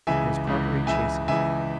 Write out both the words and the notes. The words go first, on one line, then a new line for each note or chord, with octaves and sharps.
I was properly chastened.
C#2 C#3 E3 E5 G#5
C#2 C#3 E3
C#2 C#3 E3 E5 G#5
C#2 C#3 E3 E5 G#5